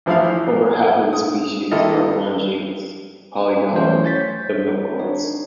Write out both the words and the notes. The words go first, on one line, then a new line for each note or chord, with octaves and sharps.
Over half of the species are in one genus, "Polygala", the milkworts.
A1 F3 E4 F5
D#6
D#3 A#3 E4 F4 A4 D#5
E3 F#3 A3 C#4 C5
C#5 G6 A6 B6
D4 D#4 C#5